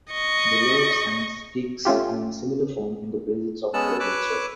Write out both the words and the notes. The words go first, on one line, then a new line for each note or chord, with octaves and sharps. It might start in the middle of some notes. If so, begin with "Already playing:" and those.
The law of sines takes on a similar form in the presence of curvature.
D#5 C#6
A3 C#4 F4 G4
G#3 B3 C#4 A5 E6 F#6
B4 C#5 D6 E6 F#6